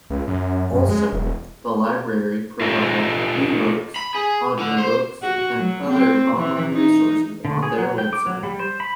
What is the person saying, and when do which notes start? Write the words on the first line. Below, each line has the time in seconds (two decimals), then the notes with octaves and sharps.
Also, the library provide E-Books, Audiobooks, and other online resources on their website.
0.10 C#2
0.28 F#2
0.73 F#2
0.89 G#3
1.13 E1
2.60 F4 G4 A4 D#5
3.96 B5
4.15 G#4
4.59 D3
4.78 C5
5.22 F#4
5.58 F#3
5.89 C4
6.37 E3
6.73 D#4
7.45 D3
7.63 G#4
7.78 F#3
7.98 G5
8.13 D6
8.26 F#3
8.43 G3
8.59 C5
8.80 B5